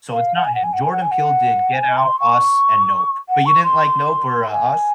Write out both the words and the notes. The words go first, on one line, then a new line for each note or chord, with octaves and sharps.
So, it's not him, Jordan Peele did Get Out, Us, and Nope. But you didn't like Nope or U Us?
F5
F#5
G#5
F#5
G#5
F#5
G#5
F#5
G#5
F#5
G#5
C6
C#6
F#5
C#6
C6
G#5